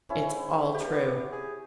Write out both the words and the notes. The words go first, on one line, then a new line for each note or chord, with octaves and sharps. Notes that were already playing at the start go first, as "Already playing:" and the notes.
"It's all true."
G#2 C#4 E4
G4
B3
G#4